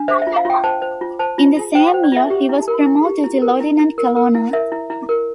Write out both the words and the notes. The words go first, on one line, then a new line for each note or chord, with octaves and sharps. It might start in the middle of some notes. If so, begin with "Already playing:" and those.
In the same year he was promoted to lieutenant colonel.
Already playing: D4
C5 E5
E5
F4
F5
F4 G5
C5 A5
C5
F4
C5 A5
F4
F4
C5 G5
C5
D5
F4 E5
G4
E4
A#4
E4
G4
E4
A#4
E4
E4
A#4
A#4
E4
A#4 E5
E4
E4
A#4